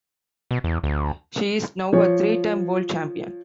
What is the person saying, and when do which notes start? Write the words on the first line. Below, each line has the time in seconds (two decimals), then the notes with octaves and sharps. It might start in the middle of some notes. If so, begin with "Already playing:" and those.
She is now a three time World Champion.
0.51 B2
0.64 E2
0.84 D2
1.93 F3 C#5